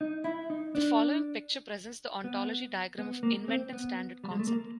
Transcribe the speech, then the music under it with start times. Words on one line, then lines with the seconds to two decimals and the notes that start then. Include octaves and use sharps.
The following picture presents the ontology diagram of Inventive standard concept.
0.01 D#4
0.24 E4
0.50 D#4
0.75 D4
2.24 B3
2.98 B3
3.23 A#3
3.48 C4
3.72 B3
4.24 G3
4.31 G#3
4.39 A3
4.47 A#3